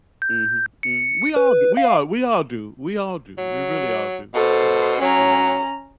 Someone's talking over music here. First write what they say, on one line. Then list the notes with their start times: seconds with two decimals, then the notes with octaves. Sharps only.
Mhm, mhm. We all do. We all we all do. We all do. We really all do, so, you know.
0.22 G6
0.83 C#7
1.36 B4
1.77 F5
3.38 F#3
4.34 B2 A4 C5
5.01 F#3 C#4 A#5